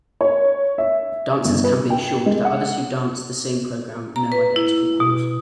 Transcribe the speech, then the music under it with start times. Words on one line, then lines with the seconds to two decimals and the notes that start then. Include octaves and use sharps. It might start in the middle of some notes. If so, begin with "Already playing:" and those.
Dancers can be assured that others who dance the same program know identical calls.
0.21 C#5
0.78 E5
1.45 G1
1.64 B4
1.90 G5
2.26 G#3
2.45 F#5
4.16 A#5
4.32 B4
4.56 E4
5.00 B2